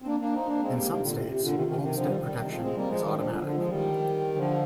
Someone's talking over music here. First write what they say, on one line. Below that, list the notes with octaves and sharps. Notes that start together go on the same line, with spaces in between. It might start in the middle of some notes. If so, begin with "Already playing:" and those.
In some states, homestead protection is automatic.
C4
A#3 D4
A#3 D4
C4 D#4
A#3 D4
G#3 C4
G3 A#3
C3 D#3
A#2 D3
C3
C3
A#2 D3
C3 D#3
C3 D#3
C3 D#3
D3 F3
D#3 G3
D#3 G3
C3 D#3
F3 G#3
G#3 C4
G3 A#3
F3 G#3
D#3 G3
D3 F3
A#2 D3
D3 F3
F3 G#3
D#3 G3
D3 F3